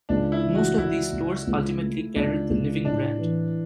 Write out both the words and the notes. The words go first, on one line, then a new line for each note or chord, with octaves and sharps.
Most of these stores ultimately carried the 'Living' brand.
C#2 D4
E4
E3
F#4
C#2 E4
C#2
C#2
A3
C#2 D4
C#2
A2 D4
E3